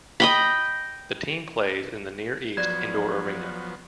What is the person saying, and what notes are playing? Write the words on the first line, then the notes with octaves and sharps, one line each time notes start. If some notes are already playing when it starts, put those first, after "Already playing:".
The team plays in the Near East Indoor Arena.
D#5 G5 B5
F3 F#3 B3 F#4 D5 G#6